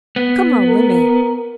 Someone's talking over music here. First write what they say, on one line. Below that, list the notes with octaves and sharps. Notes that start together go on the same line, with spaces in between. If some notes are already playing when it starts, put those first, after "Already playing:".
Come home with me.
B3
A#4